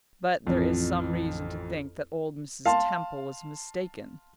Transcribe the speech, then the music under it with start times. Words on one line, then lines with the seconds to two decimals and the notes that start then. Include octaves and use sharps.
But there is some reason to think that old Mrs. Temple was mistaken.
0.47 A1 F2
2.66 F5 A5 C6